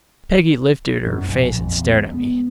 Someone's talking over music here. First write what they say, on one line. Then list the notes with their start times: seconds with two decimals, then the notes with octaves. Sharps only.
Peggy lifted her face and stared at me.
1.06 F#2
1.28 A#1
1.58 F2
1.78 E2
1.90 G#3
2.08 B3